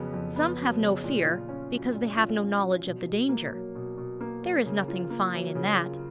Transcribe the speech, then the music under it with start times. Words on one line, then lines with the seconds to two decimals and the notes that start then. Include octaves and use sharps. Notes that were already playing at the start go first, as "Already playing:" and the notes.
Some have no fear, because they have no knowledge of the danger: there is nothing fine in that.
Already playing: F2 C#3 F#3 B3
0.13 F2
0.36 B3
0.58 F#3
0.81 C#3
1.04 A#2
1.26 F4
1.49 C#4
1.71 F#3
1.93 A#2
2.17 F4
2.39 C#4
2.62 F#3
2.85 B2
3.07 B2
3.29 A#3
3.52 F#3
3.75 B2
3.98 B2
4.21 A#3
4.43 F#3
4.66 C#3
4.88 F4
5.10 A#3
5.34 F#3
5.55 C#3
5.79 F4